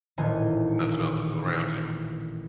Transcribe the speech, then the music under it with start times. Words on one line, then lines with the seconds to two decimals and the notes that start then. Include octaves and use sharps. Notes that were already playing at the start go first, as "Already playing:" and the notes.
nothing else is around anymore.
0.18 D#1 A1 D#3 E3 C5 G#5